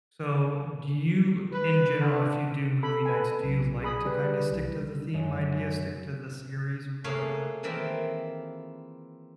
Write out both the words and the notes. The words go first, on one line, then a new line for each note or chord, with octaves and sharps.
So, do you, d in general, if you do movie nights, do you like to kinda stick to the theme idea, stick to the series or whatever, or do you like to mix up?
B4
D3
A4 B5
B4 G#5
B1
G#4 B5 D#6
G3 B4
C2
F#2 G#3
A3 A#3 G#4 C#5 F5
D#3 E3 A#3 C4 E4 F4